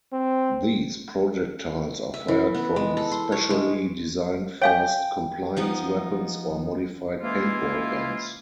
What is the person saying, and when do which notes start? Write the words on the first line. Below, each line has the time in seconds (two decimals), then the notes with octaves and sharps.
These projectiles are fired from specially designed forced compliance weapons or modified paintball guns.
0.13 C4
2.14 E5
2.28 E3
2.54 B3
2.76 G#3
2.97 A4
3.12 C6
3.32 C#5
3.50 G#3
4.62 C#5 F5 G5 G#5
5.57 F3 B3 D#4
7.22 E3 G#3 A#3 C#4 E4 F4